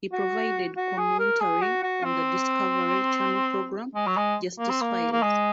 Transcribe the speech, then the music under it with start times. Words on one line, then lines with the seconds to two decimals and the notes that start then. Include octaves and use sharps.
He provided commentary on the Discovery Channel program "Justice Files".
0.13 F#4
0.77 F#4
0.98 G#4
1.19 A#4
1.41 G#4
1.62 F#4
1.83 F#4
2.04 C4
3.95 G#3
4.07 F#3
4.17 G#3
4.59 A#3
4.70 C4
4.81 A#3
5.12 A#3
5.22 G#3